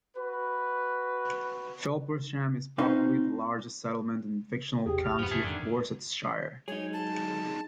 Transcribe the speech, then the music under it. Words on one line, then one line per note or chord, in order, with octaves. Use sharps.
Felpersham is probably the largest settlement in the fictional county of Borsetshire.
F#4 B4
C4 C#4 D#4 F4 B4 C5
E1 E2 C3 G4 G#4
A#1 F6
E1 G2 C#3 F3 B3
C#2 G#2 A3 G#4
F2 G#2 D3 D#3 F3
F#3 G#3 D#4 G#4 C#5
A5